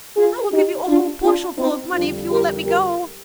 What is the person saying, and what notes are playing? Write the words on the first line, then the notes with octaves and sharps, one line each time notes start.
'I will give you a whole bushelful of money if you will let me go!'
F4 G#4
D#4 G4
D4 F4
D4 F4
C4 D#4
F2 D3 G3 D4 F4
G4 A#4
G4 A#4